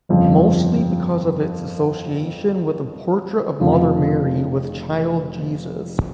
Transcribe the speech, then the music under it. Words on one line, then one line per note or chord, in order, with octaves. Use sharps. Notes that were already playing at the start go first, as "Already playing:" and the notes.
Mostly because of its association with a portrait of Mother Mary with child Jesus.
G1 F2 C#3 F3
F1 F2 C#3 F3